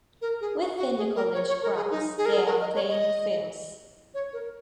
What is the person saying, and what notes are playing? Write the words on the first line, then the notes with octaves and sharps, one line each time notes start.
Within the College grounds, there are playing fields.
A#4
G#4
F#4
F#4
G#4
A#4
C#5
C#5
A#4
G#4
D#4
G#4
A#4
G#4
A#4
D#5
C#5
D#5
C#5
A#4